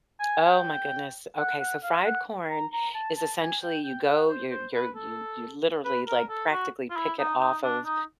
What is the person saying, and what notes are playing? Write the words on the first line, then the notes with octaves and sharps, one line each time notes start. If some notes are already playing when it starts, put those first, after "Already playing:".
Oh, my goodness, okay, so fried corn is essentially, you go you're you're you you literally, like, practically pick it off of,
G#5
G#5
G5
F#5
F#5
F5
F#5
A#5
A#5
A5
A5
G#5
G5
G5
F#5
C5
C5
B4
A4
B4
A#4
A4
F#4
F4
E4
D#4
D#4
D4
D#4